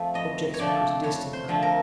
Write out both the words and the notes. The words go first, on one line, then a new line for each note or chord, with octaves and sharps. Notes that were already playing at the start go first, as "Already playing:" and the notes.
Objects were pretty distinct now.
Already playing: F3 A3 C4
F2 D#5
C#5
D3 F3 A3 C4 D5
F2 C#5
C5
D3 F3 A3 C4
A#4